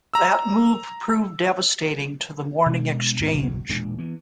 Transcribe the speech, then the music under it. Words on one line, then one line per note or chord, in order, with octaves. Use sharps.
That move proved devastating to "The Morning Exchange".
A#5 E6
B2 G#3 D4
D2 G#2 B3
F#1 B1 A2 F#3
E1 A#2 G#3 D4
E3 B3